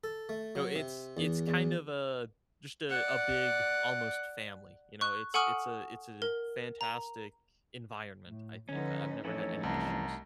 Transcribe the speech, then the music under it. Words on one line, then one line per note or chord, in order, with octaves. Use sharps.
No, it's it's kind of a just a a big almost family, you know, it's it's a it's a fantastic environment, I think, I I've never had any issues.
A4
A3
F#3
C3
E2
E2
D5 F#5
C#6 F#6
A4 F#5 G#5 C#6 D#6 F6
A#4
A#5
A2 A3
D3 F3 C#4 D#4 B4
F2 E3 A3 C#4 D#4 A4 C#5
C2 A5 A#5